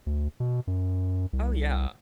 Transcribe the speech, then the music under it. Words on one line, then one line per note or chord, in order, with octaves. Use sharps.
Oh, yeah.
D2
B2
F#2
C2